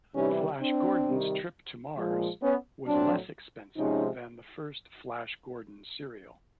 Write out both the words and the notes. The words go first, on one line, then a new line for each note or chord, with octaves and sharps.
"Flash Gordon's Trip to Mars" was less expensive than the first Flash Gordon serial.
C3 E3 G3 C#4 D#4
C4 D4
C3 D#3 G3
A#2 F3 G#3
B3 C#4
A2 F#3 C4 D4
C3 F3 G#3 C#4 D#4